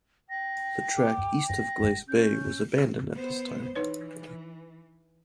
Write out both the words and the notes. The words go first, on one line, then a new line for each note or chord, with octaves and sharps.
The track east of Glace Bay was abandoned at this time.
G5 A#6
D6
A#6
C#4 G6
B3 C5
E3 D#4 B4 C#5